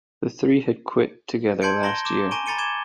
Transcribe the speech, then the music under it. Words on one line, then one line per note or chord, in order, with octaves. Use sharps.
The three had quit together last year.
A5 C6 G6 G#6 C#7 D7
A#5 C6 A#6 D7 G7
D6 E7
G#5 A#5 C#6 D7 D#7 G7
A#5 B5 A6 C#7 D#7 G7
D6 G#6 C#7 E7 G7